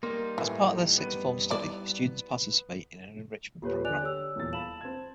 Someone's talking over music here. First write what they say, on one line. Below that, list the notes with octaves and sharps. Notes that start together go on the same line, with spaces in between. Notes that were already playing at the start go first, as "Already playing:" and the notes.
As part of their Sixth Form study, students participate in an Enrichment Programme.
G3 A#3 D#4 C6
A2 E3
B3 D#7
E4 D5
D#1 F4 G4 B4 C#5
D3 D5 G#5 F#6 F7
G4 C#5 E6
D#1 E2 A6
F5 A5 B5 E7 F#7
C4 G#6